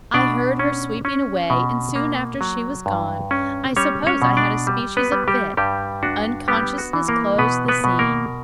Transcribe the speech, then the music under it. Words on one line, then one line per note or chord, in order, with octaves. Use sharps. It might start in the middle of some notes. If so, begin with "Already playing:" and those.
I heard her sweeping away; and soon after she was gone, I suppose I had a species of fit: unconsciousness closed the scene.
B2 D4 D5
C#4
C#4
B2
A#3
F#3
G2
C#4
G3 C#4 C#5
C#4 C#5
B2
D4 D5
G3
B3 B4
G3
G3 G4
G2 G3 G4
D4 F#4
G3 B3 G4
F#4
E3
A#3 A#4
B2 B3 B4
B3 B4
B2
A#3 A#4